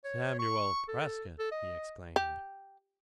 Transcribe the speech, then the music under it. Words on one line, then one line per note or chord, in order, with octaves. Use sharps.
"Samuel Prescott!" he exclaimed.
C#5
C#6
A4
A4
D#5
G4